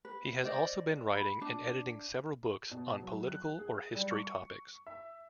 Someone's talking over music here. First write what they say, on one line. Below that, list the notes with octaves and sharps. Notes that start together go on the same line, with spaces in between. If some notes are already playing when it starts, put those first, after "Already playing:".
He has also been writing and editing several books on political or history topics.
B4
C5 D5 D#5
B5
D4
B2
F#3
F#6
G#4
G3
C#6
E5